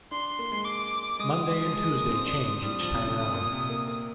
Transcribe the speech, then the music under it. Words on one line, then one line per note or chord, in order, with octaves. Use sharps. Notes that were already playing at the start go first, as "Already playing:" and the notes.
Monday and Tuesday change each time around.
D4 C6
A#3
G#3
D6
G#3 D#6
G#3
G#3
F3
G#3
A#3
C4
D4
C4
G3
F3 D#6
C3
D3
C3
A#2
C3
A#3
A#3